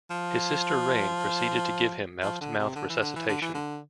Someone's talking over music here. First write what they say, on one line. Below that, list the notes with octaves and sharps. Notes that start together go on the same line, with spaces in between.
His sister Rain proceeded to give him mouth-to-mouth resuscitation.
F3
F3
D3
C3
D3
E3
D3
E3
D3
E3
D3